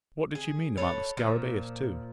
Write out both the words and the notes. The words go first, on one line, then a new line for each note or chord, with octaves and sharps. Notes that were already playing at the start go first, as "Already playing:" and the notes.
What did she mean about the scarabaeus too?
G#4
A4 B4 C#5
A#2 F3